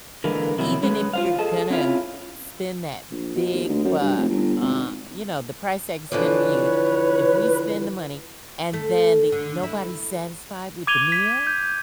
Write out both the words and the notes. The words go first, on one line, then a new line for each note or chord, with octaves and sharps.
even if you're gonna spend that big buck, uh, you know, the price tag is gonna be huge. If we spend the money, and then the nobody's satisfied with the meal?
D3 E3 G#3 A#3 A#4 B4
F2 C3 D#3 F#3 E4
G#3 C#4 B4
F4 C5 F5
G#4 A4 D#5 A5
C4 C#4 E4 F4 F5
A#1
B2
D#2
D2
F#2
G2
F1
G1
G#1
D3 E3 F3 B4 C#5
A3
D3
E4
D6 G#6 D#7 F7 G7
B6
G6